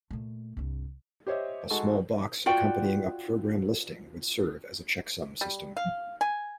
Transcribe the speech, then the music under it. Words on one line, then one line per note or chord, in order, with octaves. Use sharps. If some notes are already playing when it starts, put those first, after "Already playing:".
A small box accompanying a program listing would serve as a checksum system.
A#2 A3
C2 G2
G4 C5 C#5 D#5 E5
G#3 D#4 F#4 A4 C#6
F4 F#4 D5 G5
G3
F5
G#5